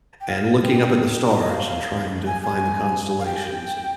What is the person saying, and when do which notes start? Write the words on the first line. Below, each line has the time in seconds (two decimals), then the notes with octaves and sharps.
and looking up at the stars and trying to find the constellations, and,
0.21 G5
0.29 F5
0.62 G5
1.28 A#5
1.39 D#5
1.50 F5
2.27 G#5
2.43 G#5
3.20 F5
3.26 G5